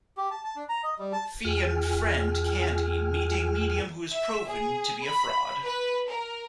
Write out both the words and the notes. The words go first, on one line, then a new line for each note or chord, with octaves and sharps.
Fi and friend Candy meet a medium who is proven to be a fraud.
G4
A5
A5
D4
A#5
D#5
G3
A5
E2 F4 G#4 G5 G#5 F6
E5
G#4
B5
B4
A#4